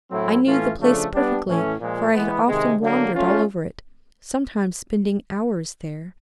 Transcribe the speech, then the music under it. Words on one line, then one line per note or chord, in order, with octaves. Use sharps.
I knew the place perfectly, for I had often wandered all over it, sometimes spending hours there.
A2 F#3 A3 C4 E4
A2 E3 A3 C#4 F4
C#3 F3 A3 D4
G3 B3 D4 G4
A2 E3 A3 C#4
A#2 F3 G#3
E3 G#3 B3
C3 D#3 G#3
D3 F#3 A#3
A3 C#4 F4